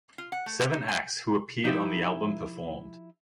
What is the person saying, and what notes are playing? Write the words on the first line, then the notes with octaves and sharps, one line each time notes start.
Seven acts who appeared on the album performed.
F4
F#5
A3
G4
D#4
G#5
F3 D#4 E4 G4 C5 E5